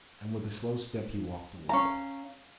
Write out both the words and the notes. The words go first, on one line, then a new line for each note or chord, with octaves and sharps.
And with a slow step he walked away.
C#4 F5 A#5